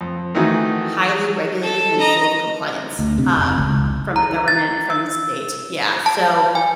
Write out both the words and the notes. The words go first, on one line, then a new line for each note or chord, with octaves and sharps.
highly regulated and full of compliance, um, from the government, from the state. Yeah, so
F2
D#3 E3 A3 D#4 F#4 G#5
A4
D#5 A#5
D2
C3
F1
C#2
A#5
A6
E6
A5
G#5